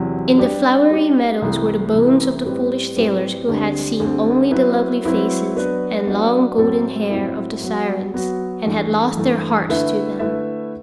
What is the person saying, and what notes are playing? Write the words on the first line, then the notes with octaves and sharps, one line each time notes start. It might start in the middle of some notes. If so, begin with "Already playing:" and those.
In the flowery meadows were the bones of the foolish sailors who had seen only the lovely faces and long, golden hair of the Sirens, and had lost their hearts to them.
Already playing: E2 C3 F#3
G3 D4 G4
G3 D4 G4
C2 C3 E3 A3 E4
C2 C3 E3 A3 E4
A2 G3 C4 G4 B4
A2 G3 C4 G4 B4
D2 D3 G3 C4
D2 D3 G3 C4
F#3 C4 E4 B4
F#3 C4 E4 B4
F#3 B3 D4 F#4 B4
F#3 B3 D4 F#4 B4
A2 F#3 C4 E4 A4
A2 F#3 C4 E4 A4
F#3 B3 F#4
F#3 B3 F#4
G2 E3 A3
G2 E3 A3
D3 A3 E4 B4 E5
D3 A3 E4 B4 E5